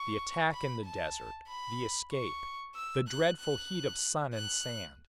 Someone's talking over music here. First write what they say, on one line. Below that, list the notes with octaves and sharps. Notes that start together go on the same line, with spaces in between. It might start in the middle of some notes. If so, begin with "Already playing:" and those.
The attack in the desert, the escape, the dreadful heat of sun and sand.
Already playing: C#6
B5
A5
B5
C#6
E6
F#6
F#6
F#6